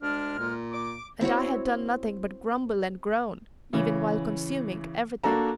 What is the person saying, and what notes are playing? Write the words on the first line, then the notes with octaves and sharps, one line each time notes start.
And I had done nothing but grumble and groan, even while consuming every thing.
D2 G#3 D4 F6
A#2
D6
C4 E4 F#4 C#5
C#3 E3 C#4
A#3 D4 F#4 A4 A#5